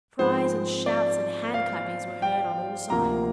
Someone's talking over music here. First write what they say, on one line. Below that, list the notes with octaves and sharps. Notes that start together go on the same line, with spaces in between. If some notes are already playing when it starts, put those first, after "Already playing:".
Cries and shouts and handclappings were heard on all sides.
G#2 F3 G#3 C4 C5
D5
F5
G5
D2 C3 F3 A#3 A#5